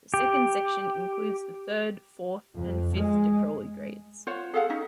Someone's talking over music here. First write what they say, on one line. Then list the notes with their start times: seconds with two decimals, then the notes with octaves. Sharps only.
The second section includes the third, fourth, and fifth Decroly grades.
0.14 G4
2.56 F2
2.95 G#3
4.27 F4 C5 C#5 F#5
4.54 G#4 A4 F5 F#5
4.69 C#4 D#4